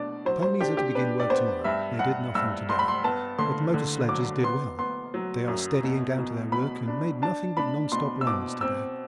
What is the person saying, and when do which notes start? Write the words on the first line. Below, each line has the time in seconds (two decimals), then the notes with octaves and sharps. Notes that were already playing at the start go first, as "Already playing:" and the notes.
The ponies are to begin work to-morrow; they did nothing to-day, but the motor sledges did well--they are steadying down to their work and made nothing but non-stop runs to-day.
Already playing: B2 A3 D4 D5
0.25 F#3 C5
0.42 C5
0.60 D4 G4
0.77 G4
0.95 D4 B4
1.20 D5
1.30 B3 C5
1.64 G2 E5
1.99 G2 F#5
2.35 G2 E6
2.69 G2 C6
2.79 B5
2.88 C6
3.04 B3 A5
3.39 D3 C6
3.74 D3
4.08 F#3 D6
4.43 B3 C6
4.79 B3 C6
5.14 F#3
5.48 F#2
5.83 B2
6.18 B2
6.52 B2 B5
6.88 D4
7.22 D4 A5
7.57 D4 B5
7.92 B2 C6
8.21 E6
8.27 B2 D6
8.61 C4 E6